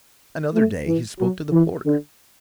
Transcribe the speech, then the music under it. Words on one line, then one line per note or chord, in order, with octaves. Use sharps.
Another day he spoke to the porter.
A3
E3
F#3
E3
D3